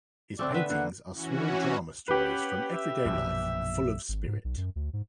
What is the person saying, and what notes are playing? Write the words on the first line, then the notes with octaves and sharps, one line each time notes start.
His paintings are small drama stories from everyday life, full of spirit.
D3 A3 C4 D4 D5 C#6
B3 D4 B4 E5
D3 A#3 F#5
E3 C#4 F#4
C#4 G4 B4 F#5
E5
A#1 F#2 B2
G#1
G#2
B1
F#2
D2
G#2